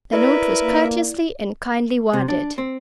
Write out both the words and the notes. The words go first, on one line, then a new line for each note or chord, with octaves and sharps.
The note was courteously and kindly worded.
E4 A#4 B4 D5 E5
A#3
C3
D4
C4